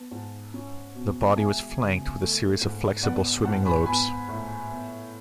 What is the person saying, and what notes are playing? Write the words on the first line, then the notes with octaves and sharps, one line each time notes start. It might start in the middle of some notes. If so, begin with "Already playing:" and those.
The body was flanked with a series of flexible swimming lobes.
Already playing: B3 A5
G#2
C#4
B2
A5
G#3 E5 G#5
C#3
A3
G#2
B3 D5 F#5
G#2 F#5 A5
G#5 B5
B3 G#5 B5
A2
B3